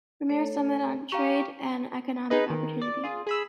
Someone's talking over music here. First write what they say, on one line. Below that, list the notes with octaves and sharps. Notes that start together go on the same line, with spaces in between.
Premier's Summit on Trade and Economic Opportunity.
A3 A4 C#5
G4 F5 G5 A#5 C#6
D#4 G#4 B4 D#5
D#3
D5
F4 G#4
G#4 B5 E6